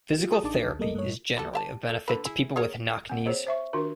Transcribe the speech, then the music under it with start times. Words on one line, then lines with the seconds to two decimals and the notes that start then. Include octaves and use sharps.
Physical therapy is generally of benefit to people with knock knees.
0.18 F4 F#4
0.31 G#4 A5 D#6
0.43 A1 D4 D#4 A5 D6
0.65 D2
0.79 G3 A3 A#3 A4 A#4 D#5
0.95 G2 C#5
1.37 G3 F#4 A4
1.53 G4 E5 A5
1.89 A4
2.08 D3 A4 B4
2.25 E4 G#4
2.56 G#4 A#4 C#5
3.09 C4 F#5
3.25 G#4 C5 C#5 D#5
3.47 C5 E5 C#6
3.73 D#3 D4 F4 F#4 A#4